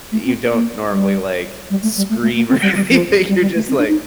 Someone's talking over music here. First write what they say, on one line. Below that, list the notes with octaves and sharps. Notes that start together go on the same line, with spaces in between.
you don't normally, like, scream or anything. You're just like
A3
C4
A#3
G3
G3
A3
G3
A3
A3
A#3
C4
G3
G3
F3
G3
G3
A3
C4
D4
D#4